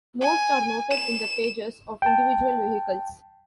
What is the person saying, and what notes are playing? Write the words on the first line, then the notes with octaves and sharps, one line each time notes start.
Most are noted in the pages of individual vehicles.
G#5
E7
G5 A5